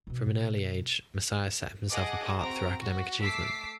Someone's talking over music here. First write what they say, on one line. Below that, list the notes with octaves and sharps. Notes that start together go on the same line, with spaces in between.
From an early age Masire set himself apart through academic achievement.
B2 D#3
G#4 D#5 F#5 A5 D6
C4 F#4 A#5 D7
F#4
A3 D6 E6 B6 C7